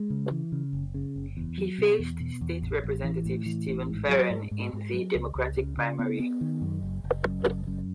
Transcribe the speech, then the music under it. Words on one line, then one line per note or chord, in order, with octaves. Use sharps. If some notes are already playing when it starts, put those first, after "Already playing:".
He faced State Representative Steven Feren in the Democratic primary.
Already playing: G#3
C#3
E3
C#3
F#1
C#3
F#1
E2
F#3
B2
E2
B2
E2
A1
A1
E3
A2
E3
A1
G#2
F#3
G#2
G#2
G#2
F#3
C#2
C#2
C#3
C#3
B3
B3
D#3
F#2
F#1
F#1
F#2
F#1
F#2